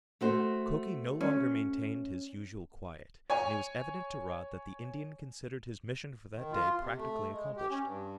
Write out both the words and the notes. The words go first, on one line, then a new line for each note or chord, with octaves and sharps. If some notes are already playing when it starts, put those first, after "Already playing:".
Mukoki no longer maintained his usual quiet, and it was evident to Rod that the Indian considered his mission for that day practically accomplished.
A3 F#4 C5
C#4
C#5 G#5
D#3
F4
C3
A3
G#3
G4
C#4
G2